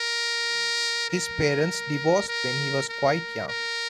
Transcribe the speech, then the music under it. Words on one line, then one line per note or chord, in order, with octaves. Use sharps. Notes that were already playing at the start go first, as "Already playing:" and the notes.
His parents divorced when he was quite young.
Already playing: A#4
A#4
A#4
A#4
A#4